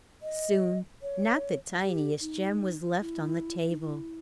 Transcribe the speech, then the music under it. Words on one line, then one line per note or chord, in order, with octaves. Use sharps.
Soon not the tiniest gem was left on the table.
D#5
C#5
G4
D#4
E4
D#4
E4